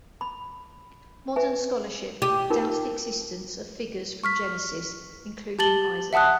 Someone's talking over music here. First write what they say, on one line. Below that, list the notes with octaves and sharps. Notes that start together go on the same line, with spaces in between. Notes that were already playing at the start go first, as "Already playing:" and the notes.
Modern scholarship doubts the existence of figures from Genesis, including Isaac.
B5
B4 E5 G#5
G4
D#4 F4 A#4
C#6 F6 B6
G4 A5 A6 F#7 G7
E5 F#5 A5 D#6 F#6